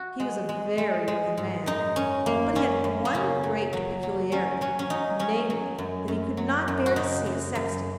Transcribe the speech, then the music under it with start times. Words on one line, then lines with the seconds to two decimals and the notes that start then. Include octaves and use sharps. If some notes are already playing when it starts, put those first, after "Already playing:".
He was a very worthy man; but he had one great peculiarity--namely, that he could not bear to see a sexton.
Already playing: F#4
0.20 G#3
0.49 G#3
0.78 G#3
1.08 G#3
1.37 G#2
1.66 F#2 D#4
1.96 F#2 C#4
2.26 F#2 A#3
2.55 F#2 C#4
2.84 F#2
3.05 A#3
3.14 C#3 C#4
3.43 F#3
3.73 F#3
4.03 F#3
4.32 F#3 C#4
4.61 F#3 C#4
4.79 C#4
4.90 F#3 D#4
5.19 F#3 C#4
5.50 F#3
5.78 F#2
6.08 F#2
6.37 F#3
6.68 F#2
6.86 F#4
6.96 C#3 D#4
7.26 F#2
7.55 F#2